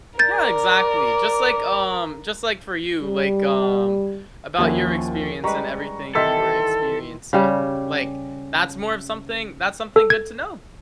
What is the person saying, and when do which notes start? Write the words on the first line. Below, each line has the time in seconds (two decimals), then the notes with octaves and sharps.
Yeah, exactly. Just like, um, just like for you like, um, about your experience and everything you were experiencing, like, that's more of something that's something good to know
0.19 A#4 D5 G6 A6
3.01 G3
4.58 D#2 F3 C#4 E4 F#4
5.44 G3 G#3 B4 A#5 C#6
6.15 D#3 E3 G4 A4 C6 E6 B6
7.33 C#3 G3
9.96 A4
10.10 G#6